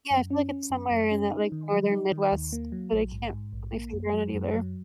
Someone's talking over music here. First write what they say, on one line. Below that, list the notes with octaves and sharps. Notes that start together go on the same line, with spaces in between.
Yeah, I feel like it's somewhere in that, like, Northern Midwest, but I can't put my finger on it either.
F#2
C#4
C#4
F#2
F#2
C#4
D#4
D#3
F#3
D#4
D#3
D#2
A#3
F#3
A#1
G#2
G#2
A#1
A#3
F#2
F#3
F#2
F#3